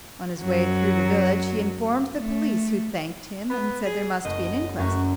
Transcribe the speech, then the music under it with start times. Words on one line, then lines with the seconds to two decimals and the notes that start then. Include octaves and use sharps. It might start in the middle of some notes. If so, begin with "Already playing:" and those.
On his way through the village he informed the police, who thanked him, and said there must be an inquest.
0.41 F#2 F#3
2.18 A3
3.50 B3 B5
3.85 G#4
4.25 F#1 A3 D#5
4.79 F#2 A3 C#4 F#4